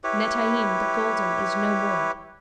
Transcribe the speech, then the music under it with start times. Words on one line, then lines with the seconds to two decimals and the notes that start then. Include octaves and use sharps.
Netaim, the golden, is no more.
0.04 E4 G4 B4 C#5